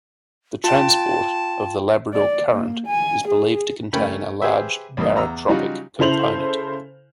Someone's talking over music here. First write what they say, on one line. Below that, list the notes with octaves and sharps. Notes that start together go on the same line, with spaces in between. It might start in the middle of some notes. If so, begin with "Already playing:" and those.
The transport of the Labrador Current is believed to contain a large barotropic component.
F4 G5 A5
D5
A#3
G#5
G#4
A3 C#4 A#4 G5 B5
G4 G#4 B4 C5 E5
A1 G2 A#3 D#5
E2 A#5 E6
C#3 F#3 G3 D#4 F4 F#4
C#3 E4 A4 C5 F7 F#7